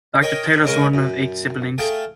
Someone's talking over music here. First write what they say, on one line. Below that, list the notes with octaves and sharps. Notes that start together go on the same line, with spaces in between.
Doctor Taylor was one of eight siblings.
A#4 C#5 D#5 G5 G#5
C#3 G#3 A#4 G#5 C#6
F#2
A3 G#4 F5 G5 A5